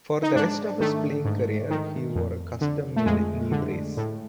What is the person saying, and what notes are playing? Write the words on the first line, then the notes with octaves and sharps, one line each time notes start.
For the rest of his playing career, he wore a custom-made knee brace.
D#4
G#2 D4
D#3 A3
G#2
D#3
F2
D3
A3
F2 G#3
D3
A2